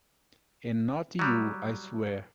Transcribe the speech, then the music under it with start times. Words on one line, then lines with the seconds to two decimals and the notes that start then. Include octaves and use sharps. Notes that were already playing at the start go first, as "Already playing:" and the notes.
And not you, I swear!
1.19 F#3 G3